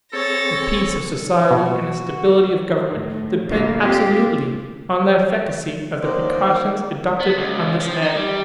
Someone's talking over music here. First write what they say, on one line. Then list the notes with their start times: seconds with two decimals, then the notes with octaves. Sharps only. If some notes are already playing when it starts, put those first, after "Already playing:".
The peace of society and the stability of government depend absolutely on the efficacy of the precautions adopted on this head.
0.13 C4 G#4 A4 C#5 A6 A#6
1.51 B2 F#4
2.92 A2
3.48 A#2 D3 G3 A3 A#3
3.83 C4 F4 G4
6.02 D#3 F#3 A#3 C5 D5
7.20 B3
7.38 C#2
7.81 F3
8.02 D#4
8.16 G3